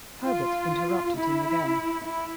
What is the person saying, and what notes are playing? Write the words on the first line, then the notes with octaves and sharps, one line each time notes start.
Herbert interrupted him again.
F4
E4
E4